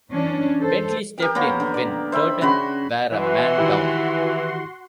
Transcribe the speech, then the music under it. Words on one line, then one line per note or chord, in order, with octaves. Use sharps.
Bentley stepped in when Turton were a man down.
E3 C#4 D4
A4 C5
G4 A#4 G5
A#3 B3 C#5 A#5
D3
D5
C5 E5 G5 B5
C#3 F#4 B5 C6
E3 F#4 F#5 C6
D#3 E4 G4